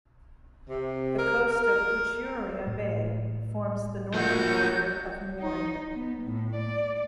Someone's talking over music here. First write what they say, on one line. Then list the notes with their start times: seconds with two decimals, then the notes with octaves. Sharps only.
The coast of Uchiura Bay forms the northern border of Mori.
0.70 C3
1.19 A#4
1.50 A#4
2.67 A2
4.14 F3 A#3 F#4 G6
5.40 D#4
5.95 B3
6.25 A2
6.56 D5